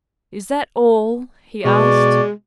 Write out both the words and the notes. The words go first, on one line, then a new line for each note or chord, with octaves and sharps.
"Is that all?" he asked.
B2 G#3 D5 C#6